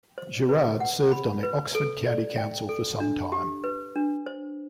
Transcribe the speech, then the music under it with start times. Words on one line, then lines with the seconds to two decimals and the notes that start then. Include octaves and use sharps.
Gerard served on the Oxford County Council for some time.
0.18 C5
0.49 B4
0.80 F#5
1.11 B5
1.43 B4
1.75 A4
2.06 D5
2.38 G5
2.69 A4
3.00 D4
3.32 G4
3.64 B4
3.96 D4
4.26 C5